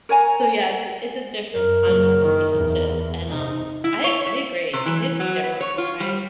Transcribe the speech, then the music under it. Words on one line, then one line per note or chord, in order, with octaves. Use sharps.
So yeah, it's a it's a different kind of relationship and, um, I I agree. It hits different, right?
A#4 C#5 G#5 A#5
F#2 A#4
F#1 F#3
D#3
E2
C3 D#4
E4
C#5
E5
C3
E3
F#3
B4
C#5
F4
G3